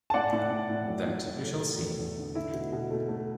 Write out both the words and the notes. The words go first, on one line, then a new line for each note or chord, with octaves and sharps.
That we shall see.
A5
A2 D5 F#5
A2
A2
A2
F#3
A2
F#3
A3
A3
E2
E2
D3
A3 E4
B2
B2
A3
A3